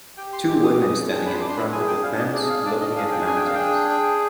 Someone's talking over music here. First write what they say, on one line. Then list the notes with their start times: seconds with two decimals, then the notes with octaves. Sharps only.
Two women standing in front of a fence looking at mountains.
0.17 G4 G5
0.33 C6
0.48 G#3 D6
0.63 D#6
0.72 D6
0.79 G#3 D#6
1.10 D4 G5
1.19 G#5
1.27 B5
1.34 C6
1.41 D4 D6
1.49 C6
1.57 B5
1.72 G#4 G#5
1.87 G5
2.03 D4 F5
2.18 D#5
2.34 G#4 D5
2.49 F5
2.65 D4 D5
2.81 D#5
2.96 G#4 F5
3.12 G5
3.27 D4 G#5
3.36 G5
3.46 F5
3.54 G#4 G5
3.89 G#4